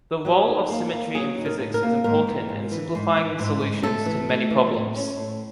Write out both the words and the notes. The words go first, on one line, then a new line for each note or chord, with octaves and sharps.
The role of symmetry in physics is important in simplifying solutions to many problems.
F#3 G4
D#4
A#3
A#3
F#3 G#4
D#4
A#4
A2
A#4
A#3
G#2 A#4
E3
G#2
E3
G#2
E3
G#2
G#2
A3 A4
E3
A3
E3
A2
C#4
A2